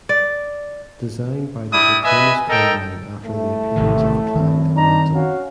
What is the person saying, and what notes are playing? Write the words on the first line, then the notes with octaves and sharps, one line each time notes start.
Designed by the Draconis Combine after the appearance of the clan elemental.
D5
G3 D4 E4 D#6
B4 D#5 E5 G#5
A4 A#4 D#5 G5
A2 A3
A1 C3 D#3
D#3 C4
D4 D#4 A#5
C#4 F#4 F5